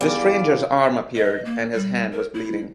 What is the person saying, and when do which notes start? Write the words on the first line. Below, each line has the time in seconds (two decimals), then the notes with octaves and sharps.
The stranger’s arm appeared, and his hand was bleeding.
0.01 E2 G2 D5 F5
1.16 D#5
1.45 A#3
1.75 G3
2.12 A#4
2.34 E4